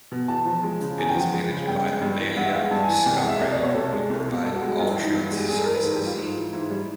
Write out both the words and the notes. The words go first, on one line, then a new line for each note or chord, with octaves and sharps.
It is managed by Abellio ScotRail, who provide all train services.
B2
E2 A5
F3
G#3
C#3
E2 G#5
G5
F3
F#5
G#3
C#3
G2 G5
G#3
G2
E3
G2 F#5
E5
G#3 F5
F#5
G2 A5
G#5
E3
G#5
C2 G5
F#5
G#3
E5
C2 D#5
D5
B2
C#5
C2 A4
G#3
C2
B2
G2 A4
F#4
G#3
F#4
G2 F4
E4
E3
D#4
G2 E4
F#4
G#3
G4
G2 G#4
A4
E3 A#4
B4
G#2 A4
G4
G3
F4
G#2
E3
G#2 E4
G3